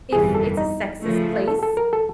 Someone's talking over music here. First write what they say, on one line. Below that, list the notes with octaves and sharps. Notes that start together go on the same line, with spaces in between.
if it's a sexist place
G1 F2 C3 E3 G3 G#4
A4
D#4
C#3 F3 A3
A4
A4
A#4
A4